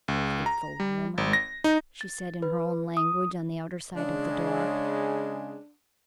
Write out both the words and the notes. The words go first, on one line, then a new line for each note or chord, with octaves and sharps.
"Hateful woman!" she said in her own language, on the outer side of the door.
C#2
A#5
G3
G#1
A#6
D#4
A6
B4
D#6
C#3 G#3 D4